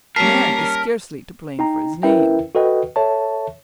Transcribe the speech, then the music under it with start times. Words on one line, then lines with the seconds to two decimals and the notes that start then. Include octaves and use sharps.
The man is scarcely to blame for his name.'
0.16 G3 A#3 C#4 A#4 A5 B6 C7
1.59 D#4 G5 A#5
2.03 C#4 E4 A#4 B4 E5 G5
2.55 F#4 A4 B4 D#5 G5
2.96 A4 C#5 E5 A5